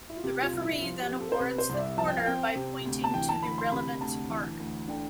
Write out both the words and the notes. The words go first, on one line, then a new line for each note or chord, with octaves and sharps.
The referee then awards the corner by pointing to the relevant arc.
E4
F4
C3 G4
F4
C2
E4
F3 F4
G4
C4
A4
C5
C3 B4
C5
C2
D5
E5
F3 A5
G5
F5
C4 G5
C3
D2
A5
E3 G5
A5
D2 B5
C6
C3 B5
D2 A5
E3
D2
D3 G5